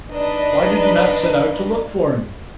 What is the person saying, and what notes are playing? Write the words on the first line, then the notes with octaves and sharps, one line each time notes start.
Why did you not set out to look for him?
D4 D#4 B4 D#5